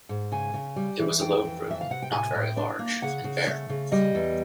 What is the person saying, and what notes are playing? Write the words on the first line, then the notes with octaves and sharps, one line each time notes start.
It was a low room, not very large, and bare.
G#2
C#3 G#5
C#3
G3
E3
F2 G5
E3
F2 E5
F5
C3 F#5
G5
A2 G#5
A2
G5
D4
A#3
C#3 F#5
C#3
A3
C#3
G3 D#5
E2